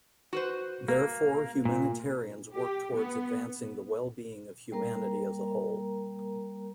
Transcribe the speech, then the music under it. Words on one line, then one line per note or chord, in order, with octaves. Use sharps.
Therefore, humanitarians work towards advancing the well-being of humanity as a whole.
F#4 B4 C5
A#3
A#2
G4
B3
G3 A#3 A#4 A#5